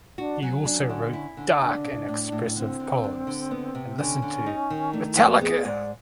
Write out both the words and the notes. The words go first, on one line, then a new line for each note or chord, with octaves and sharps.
He also wrote dark and expressive poems and listened to Metallica.
D4 F#4
F#3 C#4
D4
D3
E4
D3
C#3 D4
C#3
A2
A2
D3 C4
D3
D4
D3
B3
C3
D3 C#4
D3
D#4
D#3
A3 D4
E4
F2
F#4
B3 G#4
G#2 D5